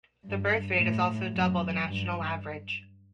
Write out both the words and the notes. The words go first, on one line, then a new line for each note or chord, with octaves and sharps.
The birth rate is also double the national average.
G2
A2
F#2
G2